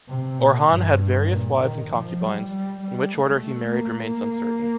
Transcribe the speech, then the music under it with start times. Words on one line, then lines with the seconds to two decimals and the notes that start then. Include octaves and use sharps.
Orhan had various wives and concubines; in which order he married remains uncertain.
0.08 C3
0.39 A#2
0.69 G2
1.31 A#2
1.60 D#3
1.92 F3
2.21 G3
2.52 G3
2.83 G3
3.14 A3
3.73 A#3
4.04 A#3